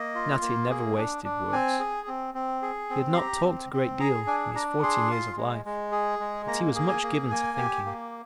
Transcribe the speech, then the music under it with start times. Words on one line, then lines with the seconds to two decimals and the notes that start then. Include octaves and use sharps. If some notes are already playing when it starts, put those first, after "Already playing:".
Natty never wasted words. He had not talked a great deal in his fourteen years of life, but he was much given to thinking.
Already playing: A#3 D#5
0.15 F4
0.42 A#3
0.70 G#4
0.97 D4
1.24 D4
1.52 C4 G#5
1.80 G#4
2.07 C4
2.34 C4
2.62 G#4
2.90 C4
3.13 C6
3.17 G4 A#5
3.44 C4
3.73 C4
4.00 G#4 A#5
4.27 D4 G#5
4.55 D4 A#5
4.83 G#4 C6
5.11 F4
5.37 G#3
5.65 G#3
5.92 G#4
6.20 G#3
6.47 A#3 A#5
6.75 G#4
6.88 G#5
7.03 A#3
7.30 A#3 G#5
7.58 G4
7.86 A#3